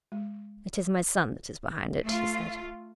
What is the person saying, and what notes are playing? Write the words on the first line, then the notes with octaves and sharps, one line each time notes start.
"It is my son that is behind it," he said.
G#3
A3 F4